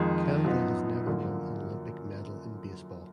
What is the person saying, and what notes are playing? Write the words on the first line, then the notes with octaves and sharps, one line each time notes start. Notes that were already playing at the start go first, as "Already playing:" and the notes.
Canada has never won an Olympic medal in baseball.
Already playing: F2 D#3 G#3
F#2 F3 B3 D#4
F#2 D3 F3 A#3